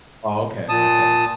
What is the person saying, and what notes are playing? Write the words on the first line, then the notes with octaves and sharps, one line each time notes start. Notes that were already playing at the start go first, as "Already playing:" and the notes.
Oh, okay, okay.
A#2 A5 D#6